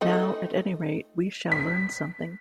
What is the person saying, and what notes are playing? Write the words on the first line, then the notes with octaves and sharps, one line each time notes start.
Now, at any rate, we shall learn something.
F3 A3 D#4
B6